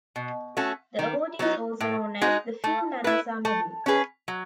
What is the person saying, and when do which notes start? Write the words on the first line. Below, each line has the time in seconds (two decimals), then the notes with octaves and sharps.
The award is also known as the Phil Manassa Medal.
0.16 B2
0.57 A3 C#4 F#4 A4
0.99 D#3
1.39 F#3 B3 D#4
1.80 A2
2.22 G#3 D#4 F#4
2.64 A3
3.04 E4 B4
3.45 A3
3.86 C#4 G#4 B4
4.28 F#3